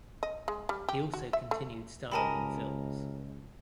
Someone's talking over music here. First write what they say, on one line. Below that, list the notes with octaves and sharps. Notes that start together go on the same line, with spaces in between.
He also continued starring in films.
D#5
G#3
G3
G4
F#4
E5
A3
C#2 G4 A#4 D#5 G#5 A5 B5